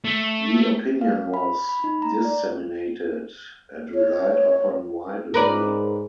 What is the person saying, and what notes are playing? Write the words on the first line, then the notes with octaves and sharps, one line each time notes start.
The opinion was disseminated and relied upon widely.
A3
F5
B5
B5
D#4
A#5
D5
C#5
G#2 A#4 B4 D5